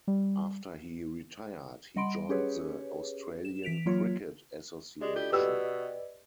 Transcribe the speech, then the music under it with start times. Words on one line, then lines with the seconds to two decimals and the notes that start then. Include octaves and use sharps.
After he retired, he joined the Australian Cricket Association.
0.08 G3
1.96 G3 D#5 F#5 B5 C6 D7
2.29 C#4 G4 G#4 B4 C#5
3.45 E7
3.63 E3 B6 D7 F7
3.86 F#3 A#3 F4 C#5
5.01 G#3 G4 D5 D#5
5.16 F4 G4 A4
5.32 B2 G4 B4 D5 D#5 E6